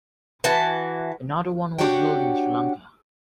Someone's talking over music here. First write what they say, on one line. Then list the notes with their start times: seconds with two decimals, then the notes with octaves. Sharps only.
Another one was built in Sri Lanka.
0.44 E3 F#4 A5
1.79 D4 F#4 G4 C#5 F#5 G5